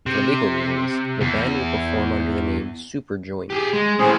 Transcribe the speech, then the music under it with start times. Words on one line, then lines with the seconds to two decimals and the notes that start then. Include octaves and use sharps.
For legal reasons, the band will perform under the name "Superjoint".
0.06 C3
1.21 E2
3.50 G4 G#4
3.73 G#3
3.99 A2 C4 C#4 G#4